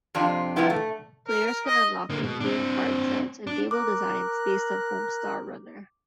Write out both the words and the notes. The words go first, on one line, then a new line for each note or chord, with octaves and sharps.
Players can unlock in-game card sets and table designs based on Homestar Runner.
F2 C3 C4 D4 F4
C3 F3 G3 B3 E4 G4
A3
A#4
A#4
D#5
D3 A#3
B2
C4 D4
D4
A#4 D6 F#6